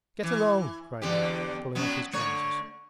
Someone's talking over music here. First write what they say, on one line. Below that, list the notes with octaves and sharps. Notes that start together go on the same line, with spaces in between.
'Get along,' cried Luke, pulling off his trousers.
E3
E2 D3 G4
F#2 F#3 B3
D3 A3 C#5